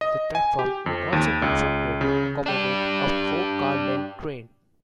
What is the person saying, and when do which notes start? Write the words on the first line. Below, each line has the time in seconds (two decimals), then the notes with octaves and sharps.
The platform is also constructed to accommodate a four-car-length train.
0.01 D#5
0.35 G#5
0.59 G4
0.86 F2
1.13 D#2
1.42 C#2
2.01 C#3
2.46 D4 G4